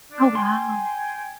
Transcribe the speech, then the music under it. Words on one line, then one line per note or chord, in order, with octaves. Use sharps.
Oh, wow.
D4
G5 G#5 C6